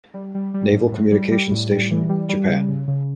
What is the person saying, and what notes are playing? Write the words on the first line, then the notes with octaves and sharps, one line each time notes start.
Naval Communications Station, Japan.
G3
G3
G3
A2
A2
G3
G3
A2
G3
E3
G3
G3
C#3
C#3
C#3